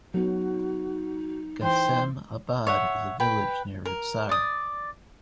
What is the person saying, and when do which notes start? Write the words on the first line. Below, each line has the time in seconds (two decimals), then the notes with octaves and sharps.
Ghassem Abad is a village near Rudsar.
0.14 F#3 B3 D#4 F#4
1.63 E3 C5 G5
2.67 C#5 E5 F#5
3.20 B4 G5
3.86 A#4
4.29 D5 D#6